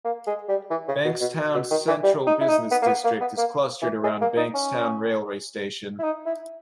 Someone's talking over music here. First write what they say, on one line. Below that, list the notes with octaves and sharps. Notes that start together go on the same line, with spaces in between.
Bankstown's central business district is clustered around Bankstown railway station.
A#3
G#3
G3
E3
C#3
B2
B2
B2
D#3
E3
G3
D#4
E4
D#4
B3
A#3
B3
A#3
B3
A#3
E3
G#3
A#3
D#4
C#4
E4
D#4
E4